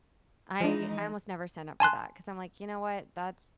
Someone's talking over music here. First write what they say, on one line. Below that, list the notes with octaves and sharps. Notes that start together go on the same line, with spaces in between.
I I almost never sign up for that 'cause I'm, like, you know what? That's
E3 F3 G#3 D4 D#4
G#5 A5 C6 F#6